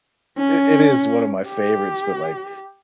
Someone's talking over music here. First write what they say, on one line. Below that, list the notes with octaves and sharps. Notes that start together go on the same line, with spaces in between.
I It is one of my favorites, but, like,
C#4
G4